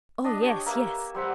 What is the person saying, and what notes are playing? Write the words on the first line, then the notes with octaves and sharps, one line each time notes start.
"Oh, yes, yes!"
D4 D#5 D#6
G4 C#5
A#3 B4 E5
G3 C4 F#5 B5